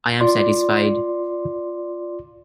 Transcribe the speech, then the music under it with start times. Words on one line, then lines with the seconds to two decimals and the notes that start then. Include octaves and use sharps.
I am satisfied.
0.21 F4 D5 C6